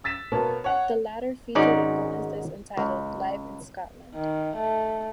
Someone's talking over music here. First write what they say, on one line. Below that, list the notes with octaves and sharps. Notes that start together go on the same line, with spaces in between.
The latter featured a bonus disc entitled "Live in Scotland".
E6 A6 B6 E7
B2 A#3 B3 C#5 A5
C#5 F#5
G#1 G#2 C#4 D#4 F#4 D5
C#2
D#3
A3